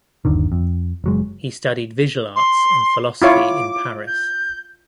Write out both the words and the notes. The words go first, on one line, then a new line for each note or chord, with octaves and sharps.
He studied visual arts and philosophy in Paris.
G1 D#2 D3 D#3
F2
F#1 F#3 G#3
C6
E4 F4 C#5 D6
G6